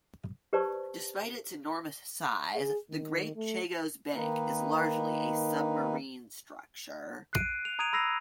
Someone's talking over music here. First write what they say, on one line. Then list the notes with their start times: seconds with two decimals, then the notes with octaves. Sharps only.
Despite its enormous size, the Great Chagos Bank is largely a submarine structure.
0.53 G4 B4 C5 D5 A5 C#6
2.55 G#4
2.90 D#3
3.36 A3
4.14 D#3 A#3 D#4 B4
7.33 F#6 C7 D7 D#7
7.65 F7
7.79 A#5 D#6 G#6 D7 D#7 F7
7.93 B5 E6 A#6 C7 F7